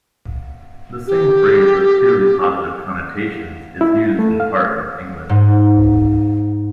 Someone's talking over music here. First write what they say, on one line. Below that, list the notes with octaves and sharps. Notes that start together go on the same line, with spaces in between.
The same phrase with purely positive connotations is used in part of England.
G4
E4
A3
F5
G#2